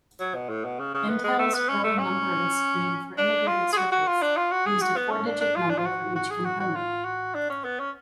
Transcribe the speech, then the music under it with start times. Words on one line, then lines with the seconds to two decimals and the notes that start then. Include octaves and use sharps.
Intel's early numbering scheme for integrated circuits used a four-digit number for each component.
0.20 F#3
0.35 B2
0.49 A2
0.65 B2
0.79 C#3
0.94 C#3
1.09 B3
1.24 G#3
1.39 A3
1.54 B3
1.69 C#4
1.84 A3
1.98 C#4
3.18 D4
3.47 F4
3.72 G#4
3.77 F#4
3.92 F#4
4.07 F4
4.22 D4
4.37 F4
4.52 F#4
4.66 G#4
4.82 F#4
4.97 B3
5.11 C#4
5.26 D4
5.41 D4
5.56 F4
5.70 D4
5.78 F4
5.86 F#4
6.15 F#4
6.30 G#4
6.45 F#4
6.60 F#4
6.76 F4
7.05 F#4
7.35 D4
7.50 C#4
7.64 B3
7.79 C#4